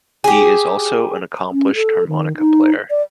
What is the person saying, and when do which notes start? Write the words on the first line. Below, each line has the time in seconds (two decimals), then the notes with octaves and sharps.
He is also an accomplished harmonica player.
0.24 G4 G#4
1.52 C#4
1.75 A4
2.08 D#3
2.38 D#4
2.90 D5